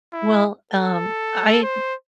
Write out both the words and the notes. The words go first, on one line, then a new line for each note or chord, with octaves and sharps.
Well, um, I
E4
A4
C5